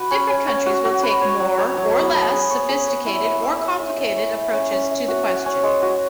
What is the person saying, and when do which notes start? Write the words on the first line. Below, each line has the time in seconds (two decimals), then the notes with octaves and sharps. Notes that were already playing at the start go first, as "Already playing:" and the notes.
Different countries will take more or less sophisticated, or complicated approaches to the question.
Already playing: F#4 B4
0.11 C#4
0.29 C#4
0.48 C#4
0.66 F#4
0.85 F#4
1.03 B4
1.21 C#5
1.40 F#3
1.58 C#5
1.77 F#3
1.95 B3
2.14 B3
2.32 G#4
2.50 C#5
2.69 G#4
2.87 C#5
3.06 E4
3.24 E5
3.43 E5
3.61 E5
3.79 E5
3.98 E5
4.17 C#5
4.35 E5
4.53 C#4
4.72 C#4
4.90 E5
5.08 F#4
5.27 C#4
5.46 C#4
5.63 G#3
5.82 F#4